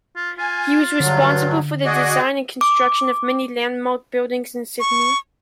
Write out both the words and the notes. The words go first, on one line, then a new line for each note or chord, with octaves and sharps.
He was responsible for the design and construction of many landmark buildings in Sydney.
F4
F4 G#5
G2 D3 F#3
F#4 G#4 D5 D#5
D6
C#6